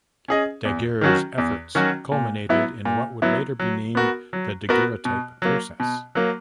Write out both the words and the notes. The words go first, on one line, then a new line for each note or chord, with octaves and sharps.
Daguerre's efforts culminated in what would later be named the daguerreotype process.
C#4 G#4 D#5
E2
D#3 F#3 C#4 F#4
E2
D#3 F#3 C#4 F#4
A#2
F#3 B3 E4
A#2
F#3 B3 E4
F#3
B3 F#4 A#4
F#3
B3 F#4 A#4
B2
F#3 A#3
B2
F#3 A#3